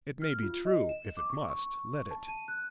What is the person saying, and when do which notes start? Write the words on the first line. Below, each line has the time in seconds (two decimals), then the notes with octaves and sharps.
It may be true; if it must, let it.
0.22 F6
0.43 F4
0.65 D#5
0.89 E7
1.17 D6
1.30 C#6
1.50 C#6
2.11 A5
2.28 D#7
2.48 F#6